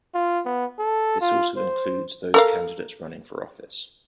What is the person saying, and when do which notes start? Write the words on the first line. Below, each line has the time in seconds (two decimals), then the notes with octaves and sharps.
This also includes those candidates running for office.
0.14 F4
0.45 B3
0.79 A4
1.21 F4
1.57 C5
2.34 A4 A#4 F5